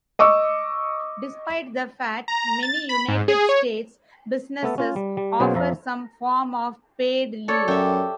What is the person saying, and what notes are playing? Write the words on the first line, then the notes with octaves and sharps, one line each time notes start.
Despite that fact, many United States businesses offer some form of paid leave.
D#5 C#6 D6 E6
A#5
A6
B5
G#2
G#4
C#5
A3 B3 A4
C#4 F4
G3
G3
B2 F#3 A#3 C#4 G#4 C5
F2 F3 E5 A#5
A4 C#5 D5
F#2 G4 E5